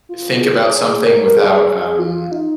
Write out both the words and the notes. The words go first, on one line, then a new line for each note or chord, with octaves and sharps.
think about something without, um,
F4
G#4
A#4
G#4
F4
D#4